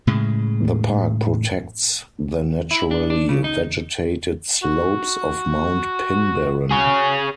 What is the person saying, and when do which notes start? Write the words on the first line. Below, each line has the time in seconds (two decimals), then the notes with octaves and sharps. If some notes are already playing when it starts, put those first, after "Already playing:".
The park protects the naturally vegetated slopes of Mount Pinbarren.
0.07 A2 C#3 G#3
2.71 E4
2.91 D4
3.10 D4
3.29 C#3
3.44 D#4
4.63 F#4
6.71 F#4 G#4 C#5